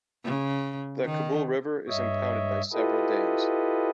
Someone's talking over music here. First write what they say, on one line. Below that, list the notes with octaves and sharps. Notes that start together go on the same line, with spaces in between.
The Kabul River is impounded by several dams.
C#3
D#3
G2 C#5 D#5 E5
E4 F4 G4 A4 B4 D#5